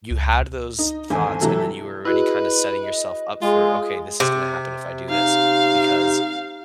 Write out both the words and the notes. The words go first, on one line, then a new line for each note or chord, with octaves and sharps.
you had those thoughts, and then you were already kinda setting yourself up for, "Okay, this is gonna happen if I do this," because,
C#2
D#4
G#1 E2 A4 G#5
C3 E3 F#3 A3 E4 A4
E4 F#4 G#4 B4 D#5
D#5
G#3 F4 G#4
C3
D#4 F5